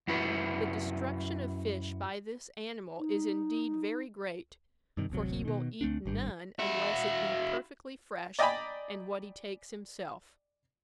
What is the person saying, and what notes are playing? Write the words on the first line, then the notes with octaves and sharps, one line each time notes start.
The destruction of fish by this animal is, indeed, very great, for he will eat none unless it be perfectly fresh, and what he takes himself.
F#2 E4 F#4 B4
D#4
G2 C3 D#3
D1 A1 C3 F#3
B2 D#3
D2 A3 C4 D4
G#1 G2 G3
E4 F#4
D5 D#5 G5 G#5 A#5 B5